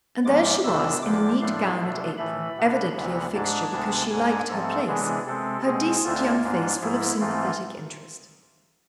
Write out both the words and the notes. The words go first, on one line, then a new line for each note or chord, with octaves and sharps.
And there she was, in a neat gown and apron,--evidently a fixture because she liked her place,--her decent young face full of sympathetic interest.
G#2 F3 G#3 D6
E2 C3 E3 B3 D4 E6
E2 D3 F3 D6
A2 F3 A3 D4 C6
B2 A3 D4
A2 E3 A3 B5
B2 B3 D4
D2 C3 E3 B3
G#2 G#3 D4 A5
D2 C3 G#3 B3 D4
G#2 G#3 D4 G#5
G#2 F3 A3 C4 A4
C3 E3 G#3 B3 D4 G#4
C3 G#3 C4 A4
B2 G#3 C4 G#4
D2 D3 A3 C4 F4
G#2 G#3 D4
G#2 F3 G#3 E4
G#2 E3 A3 C4 F4